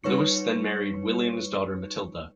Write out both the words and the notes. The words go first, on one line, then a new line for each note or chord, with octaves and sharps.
Louis then married William's daughter Matilda.
G3 D#4 B4 C#5 C#6 C#7